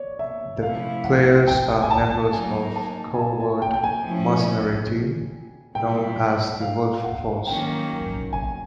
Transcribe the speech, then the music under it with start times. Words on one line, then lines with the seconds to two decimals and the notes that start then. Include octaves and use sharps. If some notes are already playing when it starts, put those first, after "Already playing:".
The players are members of a covert mercenary team known as the "Wolf Force".
Already playing: C#5 D5
0.19 E5
0.62 C3 F3 A3 C#4 E4 F5
1.04 F#5
1.47 G5
1.82 G#5
1.91 A5
2.33 F#3 A#3 D#4 G#5
2.76 A5
3.14 G#5
3.19 A5
3.40 G#5
3.62 G5
3.74 G5
3.84 G#5
4.04 F3 A3 C#4 E4
5.75 B2 G3 B3 E4 G5
6.61 F5
7.04 F#5
7.47 D#3 F#3 A#3 C#4 G5
8.33 G#5